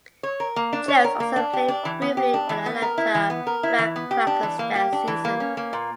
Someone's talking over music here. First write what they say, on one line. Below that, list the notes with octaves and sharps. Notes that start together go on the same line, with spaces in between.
Jones also played briefly for the Atlanta Black Crackers that season.
C#5
A#4
A#3
D4
C#5
A#4
A#3
D4
G4
D4
E3
B3
G4
D4
E3
B3
A#4
E4
E3
B3
A#4
E4
E3
B3
G4
D4
E3
A#3
G4
D4
E3
A#3
C#4
A#3
A#2